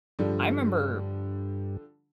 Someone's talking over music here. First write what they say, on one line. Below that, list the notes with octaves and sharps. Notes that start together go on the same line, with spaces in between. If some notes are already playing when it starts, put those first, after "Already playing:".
I remember
G2 D3 F3 G3